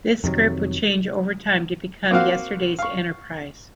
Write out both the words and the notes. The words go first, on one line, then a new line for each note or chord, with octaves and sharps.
This script would change over time to become "Yesterday's Enterprise".
F2 C3 D#3 F#3
A#3 C4 F#4 F5
F5 C#6